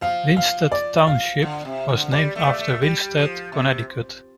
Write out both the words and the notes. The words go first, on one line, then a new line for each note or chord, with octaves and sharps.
Winsted Township was named after Winsted, Connecticut.
F3 F5
F5
D5
F5
D3
C3
D3
G3 D5
A3
F5
D5
A3
G3 G4
F3
C3